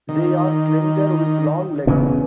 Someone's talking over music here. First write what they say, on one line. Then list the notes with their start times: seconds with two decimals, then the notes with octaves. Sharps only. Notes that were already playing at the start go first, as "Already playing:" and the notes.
They are slender, with long legs.
0.09 D#3
1.87 C#3 E3 B3